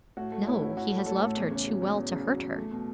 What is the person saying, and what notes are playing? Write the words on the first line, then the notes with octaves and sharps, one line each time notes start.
'No, he has loved her too well to hurt her.'
A2 F#4
A3
C#4 E4
A2
A2 F#4
A3
A3 C#4 A4
A2
E2 C#4 C#5
C#3
F#3
E2
E2
C#3
F#3
E2
A3
B2